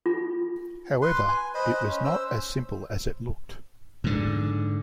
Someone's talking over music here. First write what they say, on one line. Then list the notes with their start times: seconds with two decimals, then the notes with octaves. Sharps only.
However, it was not as simple as it looked.
0.06 F4
1.02 B4 C6
1.28 G#5
1.54 B4 C5 D#5 B5
1.86 C#4
2.04 C5 E6
4.04 G#2 D3